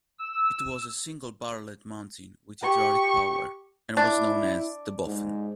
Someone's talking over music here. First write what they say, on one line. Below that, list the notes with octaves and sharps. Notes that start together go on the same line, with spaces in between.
It was a single-barreled mounting with hydraulic power, and was known as the "Boffin".
E6
G4 C#6
D4 E4
G#2